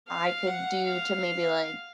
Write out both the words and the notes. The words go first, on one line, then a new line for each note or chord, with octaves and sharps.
I could do to maybe, like,
F5
F#5
F5